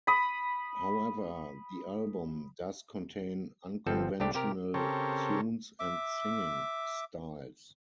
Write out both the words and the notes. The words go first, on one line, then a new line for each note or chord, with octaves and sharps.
However, the album does contain unconventional tunes and singing styles.
B5 D#6
G1 F3 C4 A4
C2 A3 C4 D4 G4
C3 G4 A#4
C#3 C4 G4 A4 A#4 C#5
E5 D6